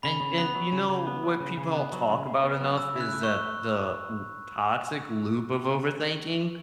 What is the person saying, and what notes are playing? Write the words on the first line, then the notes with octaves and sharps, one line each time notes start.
And and, you know, what people talk about enough is that the u toxic loop of overthinking
C#3 B5
C#3
B3 B5
F#3
C#3
C#3
B3
F#3
C#3
C#3
B3
F#3
C#3
C#3
B3
F#3
C#3 E6
E4 F#6
A3
C#6